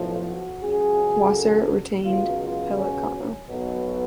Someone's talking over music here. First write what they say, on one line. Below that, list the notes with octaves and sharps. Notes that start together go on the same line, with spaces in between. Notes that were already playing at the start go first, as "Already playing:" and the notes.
Wasser retained Pellicano.
Already playing: B1 A2 F3
F#4
C#2 C#3 F#3 G#4
A4
C#2 B2 F#3 F4
F4
C#4
B1 B2 F#3